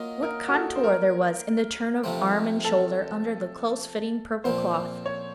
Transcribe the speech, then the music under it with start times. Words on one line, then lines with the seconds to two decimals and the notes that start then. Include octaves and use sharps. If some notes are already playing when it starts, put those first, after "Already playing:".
What contour there was in the turn of arm and shoulder under the close-fitting purple cloth!
Already playing: F#3 A#3 F4 D#5
0.23 A#4
0.48 F#4
0.54 A4
0.76 C5
0.84 A#4
2.04 C3 F3 A3 C4
2.65 A4
4.44 A#2 F3 C4 C5
5.06 C#5